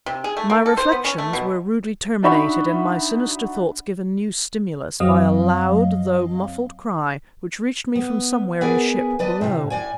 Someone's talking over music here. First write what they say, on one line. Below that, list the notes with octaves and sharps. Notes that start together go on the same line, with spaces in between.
My reflections were rudely terminated and my sinister thoughts given new stimulus, by a loud though muffled cry which reached me from somewhere in the ship, below.
C3
G#4
A3
A#3
A4
C5
B3
C#4
A3
B2
D4 D#4 F#4 E5 B5 C#6
F#2 F#3 C4 D#5 F5
B3
B3 G#4 A#4 B4 D5 G#5
B4 D5 D#5 A5
A2 C3
A2 D5 G#5